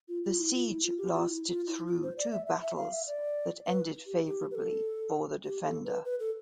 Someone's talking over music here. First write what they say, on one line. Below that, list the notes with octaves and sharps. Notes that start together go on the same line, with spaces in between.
The siege lasted through two battles that ended favorably for the defender.
F4
F4
E4
F4
E4
F4
G4
F4
E4
F4
E4
F4
C5
D5
E5
E5
E5
F5
E5
D5
B4
G4
G4
B4
A4
G4
A4
B4
B4
A4